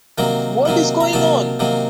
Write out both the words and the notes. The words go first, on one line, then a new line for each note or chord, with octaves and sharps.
What is going on?
C3 D#3 F#3 A#3 A#5
C3 D#3 F#3 A#3
A#5
C3 D#3 F#3 A#3 A5
C3 D#3 F#3 A#3